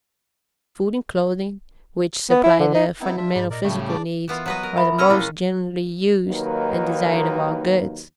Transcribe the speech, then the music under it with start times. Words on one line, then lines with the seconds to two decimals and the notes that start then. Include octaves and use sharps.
Food and clothing, which supply the fundamental physical needs, are the most generally used and desired of all goods.
2.30 B3
2.43 E4
2.59 D3
2.75 D#4
3.01 B3 C4 D#4 E4 G5
3.17 F3 D4 F4 E5
3.35 G#2 D#4 G#4 D5 B5
3.50 A#2 A#4 D5 D#5 A#6
3.65 A2 C#3 G3 D4 E5 G5
3.89 D4 G#4 D5 D6
4.28 E3 B3 F4
4.46 F#3 B4 D#5
4.63 A#4
4.77 E5 B5
4.99 B2 C#4 A#5 B5 E6 F6
5.10 A#2 G#3 E4
6.28 D#2 D#3 F#3 A#3 D#4 B4